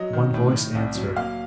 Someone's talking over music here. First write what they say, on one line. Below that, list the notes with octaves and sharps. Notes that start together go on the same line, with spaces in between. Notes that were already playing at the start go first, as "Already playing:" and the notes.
One voice answered.
Already playing: F#3 D#5
D#3
A2
A2
C2
F#3
A#3 F5